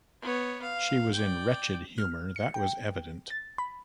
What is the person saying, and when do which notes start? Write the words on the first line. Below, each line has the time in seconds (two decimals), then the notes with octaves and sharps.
She was in wretched humor; that was evident.
0.21 B3 C#5
0.62 F5
1.13 D5 G5
1.98 F6
2.36 C#7
2.54 G5
3.30 A6
3.58 B5